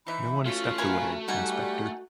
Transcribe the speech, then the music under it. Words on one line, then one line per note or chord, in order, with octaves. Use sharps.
No one stepped away, inspector.
E3 D#4 E5 B5
E3 A3 C#4 F4 F#4
F#4 A#4 B4 G#5
G3 D#4 F#5 G#5